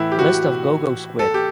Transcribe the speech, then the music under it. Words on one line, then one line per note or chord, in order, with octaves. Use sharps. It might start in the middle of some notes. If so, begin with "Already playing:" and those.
List of Go Go Squid!
Already playing: A2 E3 E4
G4
F#4
A4
G4